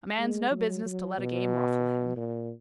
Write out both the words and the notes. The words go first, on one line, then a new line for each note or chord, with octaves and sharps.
"A man's no business to let a game ruffle him."
G#3
F#3
F#3
B2
A#2